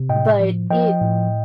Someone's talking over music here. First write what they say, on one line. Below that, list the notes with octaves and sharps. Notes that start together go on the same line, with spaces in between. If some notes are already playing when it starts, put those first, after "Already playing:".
but it
Already playing: C3
A2 D#5 G5
F3
F3 D#5 G5
A2